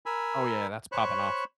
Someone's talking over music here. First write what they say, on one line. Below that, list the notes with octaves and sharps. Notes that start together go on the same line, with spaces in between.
Oh, yeah, that's popping off.
A#4 G#5 B5 E6
C5 C#5 B5 C#6 F#6